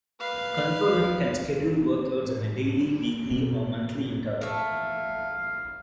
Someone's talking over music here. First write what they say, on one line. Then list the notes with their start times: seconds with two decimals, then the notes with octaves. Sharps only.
Control-M can schedule workloads on a daily, weekly or monthly interval.
0.20 B4 F5
3.31 B2
4.41 A3 E5 F5